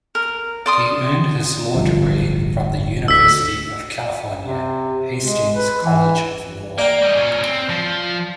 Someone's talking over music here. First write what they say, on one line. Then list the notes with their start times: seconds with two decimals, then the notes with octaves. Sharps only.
He earned his law degree from the University of California, Hastings College of Law.
0.15 A#4
0.66 D5 C6 D#6
1.74 D1 G1 F3
3.08 D2 E6 B6
4.41 C3
5.23 G#3
5.54 B4
5.83 E3
6.78 A#3 D5 G5
7.03 G3 D#5
7.16 A#2 C#4
7.43 C4
7.69 F3